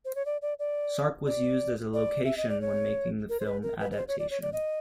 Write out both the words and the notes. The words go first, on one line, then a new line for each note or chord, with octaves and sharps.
Sark was used as a location when making the film adaptation.
C5
C#5
D5
D5
D5
D5
D5
E5
D#5
D5
C#5
A#4
C5
B4
A#4
B4
B4
C5
C#5
D5
C#5
D5
D#5